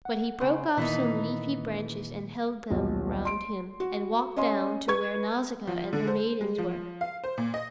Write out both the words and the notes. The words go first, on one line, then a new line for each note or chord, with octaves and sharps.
But he broke off some leafy branches and held them round him, and walked down to where Nausicaa and her maidens were.
F#5
C#3 C5
A#2 D#3 E3 A#3 B3 D#4
D#1 B1
C6 D7
F#4
C#4 D#5 C6
B4 C#6 G#6
F3
D3
C5
G#3
F3
F5
C5
A#2
D#5